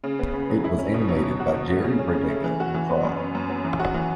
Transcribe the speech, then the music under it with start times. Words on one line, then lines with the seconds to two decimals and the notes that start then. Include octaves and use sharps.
It was animated by Jiri Brdecka in Prague.
0.04 C#3
0.19 B3
0.33 C#3
0.49 F#3
0.64 E4
0.79 C#4
0.94 B2
1.08 F#3
1.23 B2
1.40 F#4
1.55 B2
1.70 A3
1.84 C#3
1.99 C#4
2.14 C#3
2.29 A3
2.44 E3
2.60 F#4
2.74 E3
2.89 B3
3.04 F#2
3.19 C#4
3.35 F#2
3.49 F#3
3.64 E3
3.79 F#4
3.94 E3